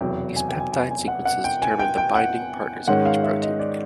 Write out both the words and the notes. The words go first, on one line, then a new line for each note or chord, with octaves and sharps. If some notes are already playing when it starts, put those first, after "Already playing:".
These peptide sequences determine the binding partners of each protein.
F1 E2 B2 F#3 G5
G#5
G5
G#5
G#5
G#5
F#5
F#5
G5
G#5
G5
G5
F#5
G#2 D#3 G#3 C#4 F#5
F5
E5
D#5
D5